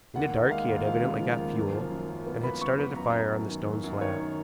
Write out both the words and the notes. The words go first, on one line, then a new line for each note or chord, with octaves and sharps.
In the dark he had evidently got fuel, and had started a fire on the stone slab.
D#2 F#5
D#2
G#3 F5
D#2
F3 F5
C#3
F3
D#2
F#2
F3
F#2
F#2
B3
B3 B5
F#2 C#6
B3 B5
F#2 A#5
F#2
F#2
D#3
F#2
F#2
D#3 C#5
D#3